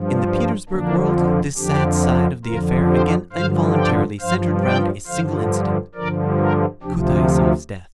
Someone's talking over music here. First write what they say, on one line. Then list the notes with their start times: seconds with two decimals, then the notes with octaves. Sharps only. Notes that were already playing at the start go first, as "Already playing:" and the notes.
In the Petersburg world this sad side of the affair again involuntarily centered round a single incident: Kutaysov's death.
Already playing: G2 F3
0.11 A#3 D4
0.40 A#3 D4
0.69 F2 D3 F3 A#3 D4
1.57 F2 D3 F3 D4 G4
2.45 F2 D3 F3 F4 A#4
2.88 G4 C5
3.32 G2 D3 F3 C5 F5
3.76 D5 G5
4.20 G2 F3 C5 F5
4.63 D5 G5
5.07 G2 D3 F3 C5 F5
5.95 G2 D3 F3 A#4 D5
6.38 F4 A#4
6.82 D2 C3 F3 D4 G4